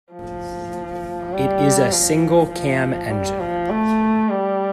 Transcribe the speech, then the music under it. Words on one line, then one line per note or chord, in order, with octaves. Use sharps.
It is a single cam engine.
F3
G3
F3
F3
G3
F3
A3
G3